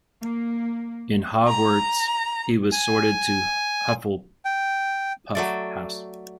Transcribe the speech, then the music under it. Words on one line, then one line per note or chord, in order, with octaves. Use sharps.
In Hogwarts, he was sorted to Hufflepuff house.
A#3
A#5
G#5
G5
F#3 A3 D5